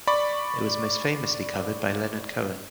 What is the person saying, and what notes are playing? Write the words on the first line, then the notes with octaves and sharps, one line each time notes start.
It was most famously covered by Leonard Cohen.
D5 B5 C#6